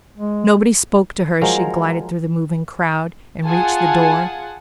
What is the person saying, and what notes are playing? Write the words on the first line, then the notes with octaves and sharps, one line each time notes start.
Nobody spoke to her as she glided through the moving crowd and reached the door.
G#3
F3 F#3 G#3 A#4
F4 G#4 F#5 G#5 A5